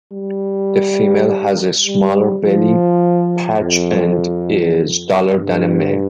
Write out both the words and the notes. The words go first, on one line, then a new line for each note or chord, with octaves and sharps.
The female has a smaller belly patch and is duller than the male.
G3
G3
F3
F2
G2